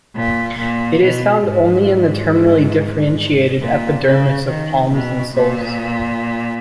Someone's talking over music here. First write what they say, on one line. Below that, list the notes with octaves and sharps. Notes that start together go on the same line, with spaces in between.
It is found only in the terminally differentiated epidermis of palms and soles.
A#2
A#2
B2
G#2
A#2
C#3
D#3
B2
A#2